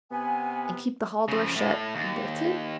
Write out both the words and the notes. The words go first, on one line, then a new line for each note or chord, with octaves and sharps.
'And keep the hall door shut and bolted?'
C3 B3 G#5
C#3 F3
A2
D#2